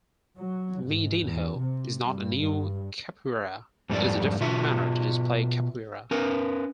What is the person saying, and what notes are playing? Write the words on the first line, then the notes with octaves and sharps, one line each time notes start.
Miudinho is not a new capoeira, it's a different manner to display capoeira.
F#3
G#2
E2
C3
G2
G2
F2 G#2 G3 C#4 A4 D5
B2 F4 F#4 E5
C#4 A#4 B4